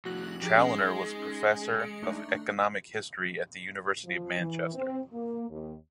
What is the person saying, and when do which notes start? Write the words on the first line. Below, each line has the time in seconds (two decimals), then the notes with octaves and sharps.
Chaloner was Professor of Economic History at the University of Manchester.
0.05 F2 A2 F#4 F#6 F#7
0.42 F3 D#4 G4 G#4
0.57 G#3 C#4 D#4 G7
1.80 C#7 D7
2.02 A3 D4 D#4
4.05 F3
4.39 E3
4.74 C4
5.13 A#3
5.50 D#2